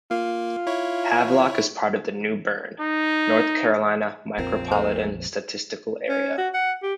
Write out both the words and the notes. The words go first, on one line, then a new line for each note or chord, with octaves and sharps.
Havelock is part of the New Bern, North Carolina Micropolitan Statistical Area.
A#3 F4
E4 C#5
D#4
A#1 F2 F3 C4 A#4
A#2 A3 C#4 C5
C#4
F#4
F#5
G4